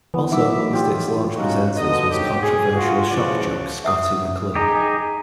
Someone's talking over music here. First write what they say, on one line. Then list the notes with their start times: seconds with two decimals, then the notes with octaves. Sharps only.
Also amongst its launch presenters was controversial shock jock Scottie McClue.
0.14 E3 B3
0.32 F#3 D#4 E5 D6
0.71 F4 G4 D5
1.36 G3 C#4 D#4 F4 F#4
1.77 B2 D3 D#5
2.10 D#2 G#2 D#3 F#3 G4
2.42 G#4
2.75 F4 F#4
3.09 C#2 C#3 E3 F3 F#4 D5
3.84 E5 F#5 D#6
4.55 D#4 G4 G#4